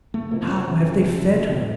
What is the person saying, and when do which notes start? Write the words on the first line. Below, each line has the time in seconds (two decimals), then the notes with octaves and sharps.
How have they fed her?
0.14 F#1 A3
0.31 F2 C3 F3 A#3
0.41 C4
0.48 F#1 C#4
0.65 F2 C3 F3
0.83 F#1
1.00 F2 C3 F3
1.17 F#1
1.34 F2 C3 F3
1.51 A2 C4